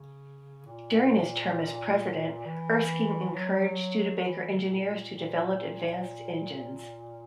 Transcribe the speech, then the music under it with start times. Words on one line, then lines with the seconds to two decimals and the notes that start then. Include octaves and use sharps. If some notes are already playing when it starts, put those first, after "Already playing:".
During his term as president, Erskine encouraged Studebaker engineers to develop advanced engines.
Already playing: C#3
0.66 A#2
2.45 E3
3.35 F#3
4.25 E3
4.54 C#3
4.62 B2
4.69 A#2
4.77 B2
4.85 A#2
5.15 A#2